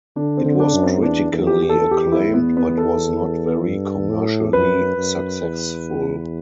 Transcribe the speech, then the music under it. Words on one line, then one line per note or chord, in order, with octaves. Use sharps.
It was critically acclaimed but was not very commercially successful.
D3 D4
C4
D3
D4
F#2
C4
E2 D4
E2
G4
E2 G4
A4
E2 G4
E4
B3
B3
A4
G2
A2
F#2 B4
F#2
E2